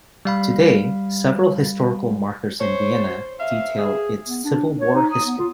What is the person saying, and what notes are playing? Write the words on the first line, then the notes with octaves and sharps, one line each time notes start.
Today, several historical markers in Vienna detail its Civil War history.
G3 F5 B5
C5 C#5
E5 F5
G#4
B3
D4
C#5
D#4
D#6
B3
F4